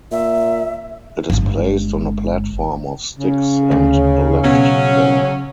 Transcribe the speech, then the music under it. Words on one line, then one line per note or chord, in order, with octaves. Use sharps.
It is placed on a platform of sticks and left there.
A#2 E5
G1 G#3
C#3
D2
B2 F#3 C#4